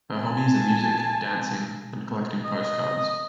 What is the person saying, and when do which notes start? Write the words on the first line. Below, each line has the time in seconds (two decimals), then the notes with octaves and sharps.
Her hobbies are music, dancing and collecting postcards.
0.18 G#5 A5
2.44 D#5